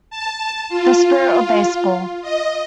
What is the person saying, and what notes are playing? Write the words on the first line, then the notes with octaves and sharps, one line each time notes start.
The Spirit of Baseball.
A5
F4
D#5